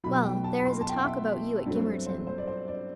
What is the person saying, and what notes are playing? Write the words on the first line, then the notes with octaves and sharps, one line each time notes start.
'Well! there is a talk about you at Gimmerton.
B1 B2 F#3 B5
G5
A5
B5
C6
A5
G5
F#5
E5
G2 F#3 A3 C4
C5
C5
D5
C5
D5